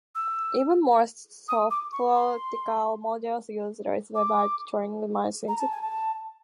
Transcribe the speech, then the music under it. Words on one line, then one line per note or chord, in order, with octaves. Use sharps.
Even more sophisticated models use reversible Turing machines.
E6
D#6
D6
C#6
C6
D6
A#5
A5
G#5
A5